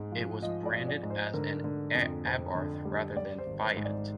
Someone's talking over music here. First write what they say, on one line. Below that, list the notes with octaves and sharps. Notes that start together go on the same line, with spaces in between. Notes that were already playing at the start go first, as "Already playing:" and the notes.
It was branded as an Abarth rather than Fiat.
Already playing: G#2 G#3
F3
F3 D#5
D5
F3
D5
G#2
C5
D3 A#4
D3
F2
F2 C5
D3
G3
G3 D5
C5
G#1
C5
G#2
D5